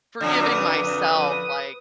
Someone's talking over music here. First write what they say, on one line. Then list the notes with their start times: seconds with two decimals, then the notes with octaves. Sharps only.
forgiving myself, like
0.21 F2 A#2 D3
0.44 B4 D#6